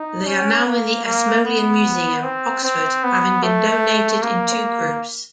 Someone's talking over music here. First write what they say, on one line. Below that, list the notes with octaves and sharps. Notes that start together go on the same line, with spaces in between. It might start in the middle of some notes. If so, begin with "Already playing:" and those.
They are now in the Ashmolean Museum, Oxford, having been donated in two groups.
Already playing: D#4
C#4
A#3
A#3
B3
C4
C4
B3
A3
A#3